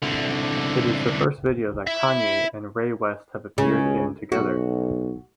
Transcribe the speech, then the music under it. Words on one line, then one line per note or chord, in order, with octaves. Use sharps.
It is the first video that Kanye and Ray West have appeared in together.
C2 D3
E4 E5
C#2 C#3
B1 F#4